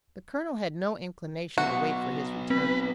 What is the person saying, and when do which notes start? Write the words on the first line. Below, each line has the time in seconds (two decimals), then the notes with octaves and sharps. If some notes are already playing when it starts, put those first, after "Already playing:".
The colonel had no inclination to wait for his return.
1.58 F#3 B3 F#4
2.50 C4 B4